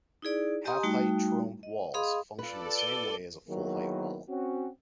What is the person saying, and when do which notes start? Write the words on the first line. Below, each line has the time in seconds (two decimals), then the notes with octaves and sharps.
Half-height Trombe walls function in the same way as a full height wall.
0.22 D#4 E4 G#4 D5
0.66 G4 D#5 G#5 A#5 C6 D#6
0.83 G3 A3 D#4 F#4 G5
1.63 D#5
1.94 G#4 D#5 F5 B5 C6 D#6
2.39 F4 A4 B4 D5
2.78 D7 D#7 G7
3.49 D#3 F#3 A#3 B3 E4 G#4
4.28 C4 C#4 F#4